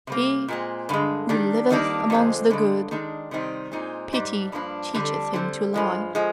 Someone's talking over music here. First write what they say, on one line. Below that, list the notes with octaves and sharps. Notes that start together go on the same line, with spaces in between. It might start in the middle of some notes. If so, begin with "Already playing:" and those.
He who liveth amongst the good--pity teacheth him to lie.
C3 G3 A#3
A#2 G#3 C4
G2 D3 G#3
D#3 G3 D4
F2 D#3 G3 A#3 D4
F2 D3 G#3 C4
G2 D3 G#3
D#3 G#3 D4
C3 D#3 G3 C4 D#4
A#2 G#3 C4 D#4
G#2 G3 D4
G2 F3 A#3 D4
F2 D3 G3 D4
D3 G3 C4
G2 F3 G#3
F3 G#3